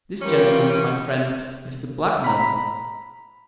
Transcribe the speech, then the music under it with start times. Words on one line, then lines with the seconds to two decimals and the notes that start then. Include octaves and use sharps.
This gentleman is my friend, Mr. Blackmore.
0.21 E3 C#4 F4 G4 A#4 G5
2.24 A#5 B5